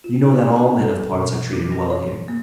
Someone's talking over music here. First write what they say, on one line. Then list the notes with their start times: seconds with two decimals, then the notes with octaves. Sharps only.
You know that all men of parts are treated well here.
0.04 F4
0.24 D#4
0.56 A#5
0.82 A4
1.11 B2
1.53 D6
1.72 A#6
1.90 C#5
2.28 A#3